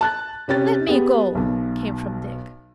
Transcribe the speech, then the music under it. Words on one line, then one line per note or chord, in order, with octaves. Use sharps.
"Let me go!" came from Dick.
A5 F#6 A6
C3 C#4 G4 A6
B3 G4 G#4
B1 B2